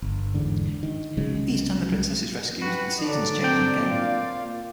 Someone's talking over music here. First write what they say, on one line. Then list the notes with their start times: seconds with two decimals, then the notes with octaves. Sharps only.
Each time the princess is rescued, the seasons change in the game.
0.02 G1
0.34 E2 G#2 D3
0.83 D#3
1.17 C2 C#3 F#3 G#3
2.62 F#4 G4 B4
2.99 D3 F#3 D4 D5
3.42 C4 G5
3.89 A#3 F4 F5